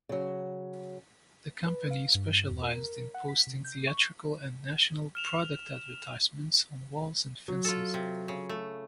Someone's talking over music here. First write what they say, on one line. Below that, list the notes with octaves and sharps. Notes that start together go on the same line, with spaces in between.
The company specialized in posting theatrical and national product advertisements on walls and fences.
C#3 F#3
B4
F5
G2
E2
A#4
F#5
B6
C3
G6
C#6
F6 E7 F7
F#3
F4 A4
C3
C#3
A3